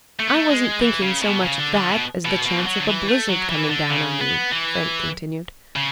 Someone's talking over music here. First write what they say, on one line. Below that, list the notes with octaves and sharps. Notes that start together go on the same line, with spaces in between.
"I wasn't thinking so much of that as the chance of a blizzard coming down on you," Frank continued.
A3
B3
A3
G#3
E3
C#3
B2
C#3
D3
D3
B2
B2
B2
E3
F#3
D3
E3
A3
F#3
E3
D3
C#3
B3
E3
C#3